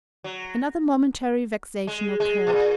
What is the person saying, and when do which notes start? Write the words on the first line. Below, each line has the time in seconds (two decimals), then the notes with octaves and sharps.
Another momentary vexation occurred.
0.24 F#3
1.87 G#3
2.20 G#3
2.47 B2
2.52 A#2